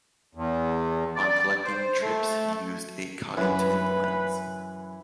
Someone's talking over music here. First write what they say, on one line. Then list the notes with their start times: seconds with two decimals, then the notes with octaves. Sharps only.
On collecting trips he used a Coddington lens.
0.35 E2
1.16 D5
1.64 C5
2.01 A3
3.37 F#2 E3 B4